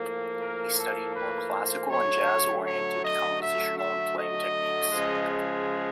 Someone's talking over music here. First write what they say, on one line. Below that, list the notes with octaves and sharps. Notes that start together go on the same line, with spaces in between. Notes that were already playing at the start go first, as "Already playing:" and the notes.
He studied more classical and jazz-oriented compositional and playing techniques.
Already playing: A2 F3 A#3
A#4
A4
B4
C5
D3 F#3 A3 C#5
C#5
D#5
E5
E5
D#5
C#3 F3 G#3